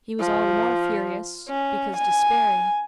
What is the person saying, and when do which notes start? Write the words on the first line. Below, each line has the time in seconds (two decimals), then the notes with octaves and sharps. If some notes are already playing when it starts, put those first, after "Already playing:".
He was all the more furious, because despairing.
0.20 F3
1.49 C#4
1.97 G#5